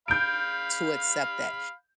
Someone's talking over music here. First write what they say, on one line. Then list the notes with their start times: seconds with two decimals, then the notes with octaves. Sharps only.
to accept that;
0.08 F5 B5 G6 D7